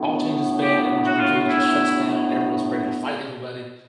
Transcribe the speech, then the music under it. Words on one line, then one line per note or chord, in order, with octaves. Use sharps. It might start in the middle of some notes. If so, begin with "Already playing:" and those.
All change is bad. Everyone just completely just shuts down. Everyone's ready to fight everybody.
Already playing: A2 F#3 B3 D4
G4
F#4
F4
F#4
E4